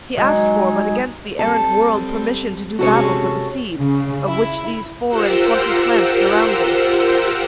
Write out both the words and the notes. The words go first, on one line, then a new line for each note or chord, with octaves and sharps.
He asked for, but against the errant world Permission to do battle for the seed, Of which these four and twenty plants surround thee.
F#3 G#3 D#4
G3 C4 A4
C3 G#3 C#4 F#4 A4 C#5
C#3
E4
F4 G4 A#4 C5 F#5 E6